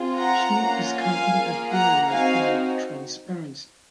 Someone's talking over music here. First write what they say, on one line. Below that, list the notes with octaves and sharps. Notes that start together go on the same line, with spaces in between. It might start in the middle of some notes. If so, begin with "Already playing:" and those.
She is currently appearing in "Transparency".
Already playing: C4 F4 G#4
F#5 A#5
A#3 C#4 F4
F5 G#5
A#3 F4 G#4
F#5 A#5
C4 D#4 F#4 F5 G#5